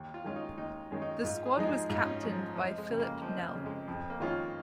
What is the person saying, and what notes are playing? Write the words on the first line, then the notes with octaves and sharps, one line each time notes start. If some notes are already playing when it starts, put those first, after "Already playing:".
The squad was captained by Philip Nel.
Already playing: D#2
F4
D#3 G#3 C#4 F4
D#4
D#2 D#4
D#3 G#3 C#4
D#4
G#2 F4
G#4
F3 G#3 D#4
G#4
G#2 F4
D#4
C#4
D#4
F3 G#3 C#4 D#4
F1 F3
G#3
F2 C#3
A#3
F1 F3
F2 C#3
G#3
F2 F3
A#3
D#3 G#3 C#4 F4